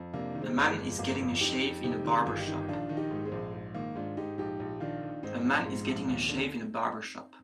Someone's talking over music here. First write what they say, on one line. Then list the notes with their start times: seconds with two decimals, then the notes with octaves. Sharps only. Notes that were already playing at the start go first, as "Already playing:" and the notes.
A man is getting a shave in a barber shop.
Already playing: F2
0.13 C3 A#3 D4
0.35 D#3
0.42 G#3 C4
0.57 G1 A#3
0.70 G#3
0.78 F2
0.99 G1 A#3
1.20 F2
1.41 F2 D#4 G4
1.62 F2
1.84 C3 D#4 G4
2.05 D#3
2.12 F4 G#4
2.26 G1
2.40 D#4 G4
2.48 D#3
2.68 A#1 D4 F4
2.89 D#3
2.97 D#4 G4
3.10 G#2
3.25 G#3 C4
3.32 A#1
3.53 G#2
3.75 D#3 A#3
3.95 G#2 D4 F4
4.17 G#2 D#4 G4
4.38 A#1 D#4 G4
4.60 A#1
4.80 D#3 D4 F4
5.02 D#3
5.23 G#2 C4 D#4
5.44 A#1
5.65 G#2
5.86 A#1
6.08 D#2
6.29 D3